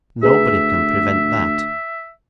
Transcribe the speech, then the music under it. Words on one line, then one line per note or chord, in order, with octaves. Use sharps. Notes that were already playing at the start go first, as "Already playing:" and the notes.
Nobody can prevent that.'
D2 G#4 B4 E5 A#5